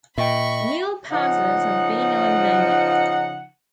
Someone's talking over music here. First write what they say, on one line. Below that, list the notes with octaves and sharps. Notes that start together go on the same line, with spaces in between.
Annual passes have been eliminated.
A#2 D#5 E5 G5 B5 C#6
C#3 F3 D#4 F#5